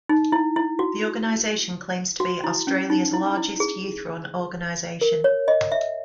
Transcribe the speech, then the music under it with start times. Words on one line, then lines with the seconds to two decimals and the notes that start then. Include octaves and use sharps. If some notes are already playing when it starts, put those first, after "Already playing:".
The organisation claims to be Australia's largest youth-run organisation.
0.09 D#4
0.32 E4
0.56 E4
0.79 F#4
2.20 F#4
2.44 E4
2.67 C#4
2.90 D#4
3.13 E4
3.37 E4
3.60 G#4
5.01 A#4
5.24 C#5
5.48 D#5
5.72 E5